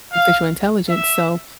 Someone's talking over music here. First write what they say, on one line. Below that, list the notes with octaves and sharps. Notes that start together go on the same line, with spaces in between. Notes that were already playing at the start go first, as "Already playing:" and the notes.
artificial intelligence, so,
F5
E5